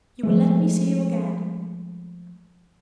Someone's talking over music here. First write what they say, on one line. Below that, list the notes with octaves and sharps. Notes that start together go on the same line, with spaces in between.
You will let me see you again?
F3 G#3 A3